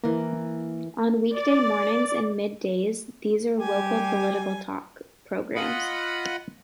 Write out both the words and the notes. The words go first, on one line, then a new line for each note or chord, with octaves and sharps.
On weekday mornings and mid-days these are local political talk programs.
E3 A#3 A#4
D5
G3 G4 G#5
F4 D#5 F#5 B5